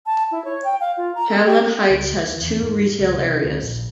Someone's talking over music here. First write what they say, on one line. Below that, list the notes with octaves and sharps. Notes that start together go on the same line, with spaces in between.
Hamlyn Heights has two retail areas.
A5
E4
C#5
G5
F5
F4
A#5
A4
G4
C#2
D#2
E2
G#2
C#2
C3
D2
A#1